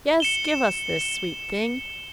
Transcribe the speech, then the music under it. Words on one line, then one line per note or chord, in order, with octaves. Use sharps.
Yes, give us this; sweet thing!
C#7 E7 G7